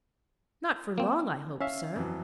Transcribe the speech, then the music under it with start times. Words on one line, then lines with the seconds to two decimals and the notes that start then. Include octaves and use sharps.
"Not for long, I hope, sir."
0.98 A#3 C4
1.60 C#4 E5 F5
1.96 F2 E3 F#3